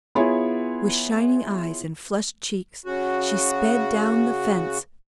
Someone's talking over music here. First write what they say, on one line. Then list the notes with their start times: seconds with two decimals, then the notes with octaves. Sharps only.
With shining eyes and flushed cheeks, she sped down the fence.
0.15 B3 E4 F4 G#4 C#5
2.86 C#3 F#4